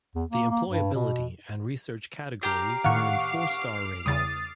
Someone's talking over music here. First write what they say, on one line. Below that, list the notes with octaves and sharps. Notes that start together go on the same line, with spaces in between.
The employability and research categories earned four star ratings.
E2
A#3
A#3
G2
B2
G4 A#5 D6 F6 C7
A2 D#3 F5 F#5 C#6
E2 C#3 G3 D#6 A6